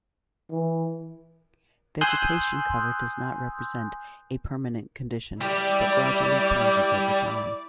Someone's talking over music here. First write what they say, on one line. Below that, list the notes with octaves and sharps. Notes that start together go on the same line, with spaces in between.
Vegetation cover does not represent a permanent condition but gradually changes over time.
E3
G#5 C6 D#6 E6 F#6 G6
G3 E4 G4 D5